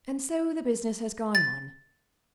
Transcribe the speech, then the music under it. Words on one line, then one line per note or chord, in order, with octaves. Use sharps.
And so the business has gone on.
A6